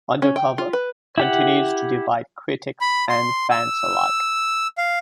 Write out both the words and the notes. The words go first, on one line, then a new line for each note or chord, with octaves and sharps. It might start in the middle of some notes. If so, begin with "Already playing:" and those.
"Undercover" continues to divide critics and fans alike.
C#4
G5
F4
B4
E4 G4 F#5
B5
C6
E6
F5